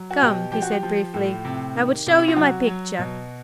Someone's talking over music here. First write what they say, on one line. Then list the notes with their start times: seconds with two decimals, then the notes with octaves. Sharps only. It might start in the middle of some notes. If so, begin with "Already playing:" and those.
"Come," he said briefly, "I will show you my picture."
Already playing: F#3
0.11 F#4
0.21 B2 G4
0.52 F3 G4
0.62 F#4
0.72 G4
0.83 F3
1.14 A2
1.45 C3
1.75 D#3
2.06 C3
2.19 E4
2.28 F4
2.36 F#3 F#4
2.67 F#3
2.99 B2